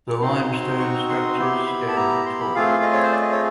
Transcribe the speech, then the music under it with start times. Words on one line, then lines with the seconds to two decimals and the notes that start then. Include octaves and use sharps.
The limestone structures stand tall.
0.21 C4 D#4 F#4 C6
0.79 C#6
1.09 C6
1.38 B3 E4 G4
1.67 B5
1.88 A5
1.96 A#5
2.26 C6
2.40 B5
2.55 A3 C4 F4 G#4 F5
2.83 D#5
2.93 C#5
3.03 C5
3.12 D5
3.22 D#5
3.31 C#5